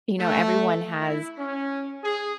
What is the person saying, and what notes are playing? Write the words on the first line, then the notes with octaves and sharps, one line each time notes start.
you know, everyone has
A3
E4
C#4
G#4